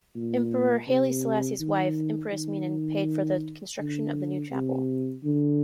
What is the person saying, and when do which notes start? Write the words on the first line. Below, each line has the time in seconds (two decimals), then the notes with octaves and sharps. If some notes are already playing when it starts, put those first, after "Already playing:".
Emperor Haile Selassie's wife, Empress Menen, paid for the construction of the new chapel.
0.15 A#2
0.88 C3
1.61 D#3
2.32 D#3
3.79 D3
4.51 C3
5.24 D3